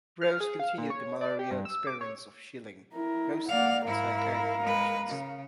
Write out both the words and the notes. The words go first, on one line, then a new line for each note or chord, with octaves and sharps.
Rose continued the Malaria-experiments of Schilling, mostly with psychiatry patients.
F6
G#4
F5
A#2
C#5
D5
G4
G2
E6
D6
C#5
E4 A#4
A#3 D5 F5 F#5
G#2 E4 A#4 F5
G#3 B4
C#3